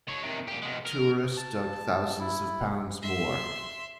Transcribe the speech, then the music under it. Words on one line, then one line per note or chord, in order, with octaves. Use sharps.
Tourists dug thousands of pounds more.
D#3 C#5
C3 D#3
A#2 G4
B2 G#3
A#4
A5
E4
E5 C6